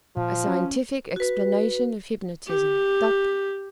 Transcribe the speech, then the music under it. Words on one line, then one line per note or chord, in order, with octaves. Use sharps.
A Scientific Explanation of Hypnotism.--Dr.
A#2 F3
C#4
F#4 B4
G4